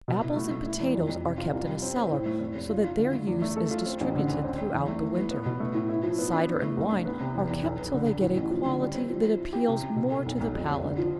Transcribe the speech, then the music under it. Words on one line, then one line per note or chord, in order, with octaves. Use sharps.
Apples and potatoes are kept in a cellar so that their use is distributed throughout the winter; cider and wine are kept till they get a quality that appeals more to the palate.
B2
E4
A3
A3
E4
E2
F2
F2
C3
F4
C2
G3
C4
C4
A2
A3
F1
F1
F4
F4
D3
A3
E2
A3
A4
F4
C4
A1
D3
D2
C4
C4
E2
A3
E3
B3
B3
B2
A3
A2
E4
F3
B3
D4
E3
A3
C2
D4
B3
C3
E2
E2
B1
B3
D3
D3
A2
A1
F3
D3
G3
C4
F3
F3
E4
G4
C3
C3
B2
A4
B1
B1
F2
F1
D3
F3